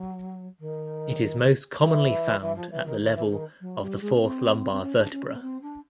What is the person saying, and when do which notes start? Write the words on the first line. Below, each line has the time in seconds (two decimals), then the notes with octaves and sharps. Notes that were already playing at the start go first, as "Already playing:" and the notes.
It is most commonly found at the level of the fourth lumbar vertebra.
Already playing: F#3
0.59 D#3
1.80 E3
2.41 E3
2.55 F3
2.70 E3
2.85 D#3
3.01 D#3
3.15 E3
3.25 D3
3.30 D#3
3.60 F#3
3.80 G3
4.00 G#3
4.14 C#4
4.20 C4
4.71 C4
4.81 C#4
4.96 D4
5.11 C#4
5.27 C#4
5.34 B3
5.41 C4
5.61 D4